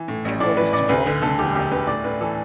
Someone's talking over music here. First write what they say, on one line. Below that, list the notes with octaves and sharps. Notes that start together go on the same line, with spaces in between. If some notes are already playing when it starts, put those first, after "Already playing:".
He had always to draw from the life.
Already playing: E3
A2
A1
A2 D5
E3 B4
A1 D5
D2 B4
D3 B4
D3 A4
E1 G4
E1 G4
D2 B4
A2 D5
A2 B4
E3 A4